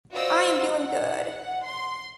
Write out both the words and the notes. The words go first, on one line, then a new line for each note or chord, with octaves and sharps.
I am doing good.
F4 F#4 C5 D5 D#5 E6
F#5
C6